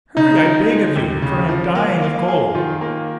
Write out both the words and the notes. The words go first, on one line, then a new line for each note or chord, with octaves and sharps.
"Hurry, I beg of you, for I am dying of cold."
C#3 D#4
F3
G#3
D#2
C#3
F3
A#3
F4
G#4
D#3 F4
A#3